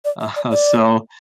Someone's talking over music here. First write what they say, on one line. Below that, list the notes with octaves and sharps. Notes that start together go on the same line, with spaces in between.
Aha, so,
D5
E5
D5
D5